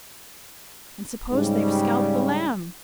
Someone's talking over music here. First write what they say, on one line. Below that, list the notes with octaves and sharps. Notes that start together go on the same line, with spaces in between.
And suppose they scalped the Lamb!'
G#2 C#3 G3